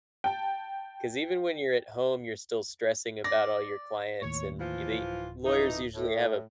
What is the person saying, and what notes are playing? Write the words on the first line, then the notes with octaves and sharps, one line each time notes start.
'cause even when you're at home, you're still stressing about all your clients, and they lawyers usually have a
G5 A5
D5 A#6
D#2 A2 C#5
E3 F3 F4
D1
F2 E3 D#4
A2